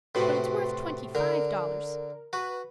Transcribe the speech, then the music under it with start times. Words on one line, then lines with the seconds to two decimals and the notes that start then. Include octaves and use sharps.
But it's worth twenty-five dollars.
0.15 A2 C3 F#4 B4 C6
1.15 D3 A#4
2.33 F#4 B4